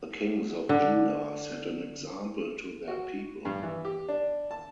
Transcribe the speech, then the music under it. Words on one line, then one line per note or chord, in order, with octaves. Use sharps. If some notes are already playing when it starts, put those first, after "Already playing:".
The kings of Judah set an example to their people.
D3
F#4
G2
E3
G4
D4
A5